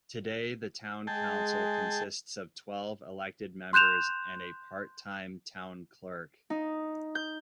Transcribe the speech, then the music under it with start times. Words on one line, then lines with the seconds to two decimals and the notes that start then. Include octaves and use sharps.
Today the town council consists of twelve elected members and a part-time town clerk.
1.07 G#3 G#4 G5 A5
3.73 C6 F#6 G6 E7 F7
6.50 D#4
7.15 G6